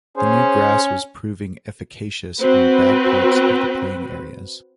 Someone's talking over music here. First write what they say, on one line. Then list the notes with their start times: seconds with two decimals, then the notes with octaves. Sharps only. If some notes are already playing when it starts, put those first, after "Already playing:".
The new grass was proving efficacious on bad parts of the playing areas.
0.17 C#4 G#4 C5
2.40 C4 F#4 B4